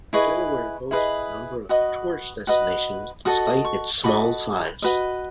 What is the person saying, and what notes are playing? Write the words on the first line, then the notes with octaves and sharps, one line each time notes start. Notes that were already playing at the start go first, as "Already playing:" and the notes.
Delaware boasts a number of tourist destinations despite its small size.
E4 G#4 B4 D#5 C#6
E4 G#4 B4 D#5
F#4 B4 D#5 D#6
F#4 B4 D#5
F#4 A4 D#5 D#6
D#6
C#6
F#4 A4 D#5 B5
F#4 B4 D#5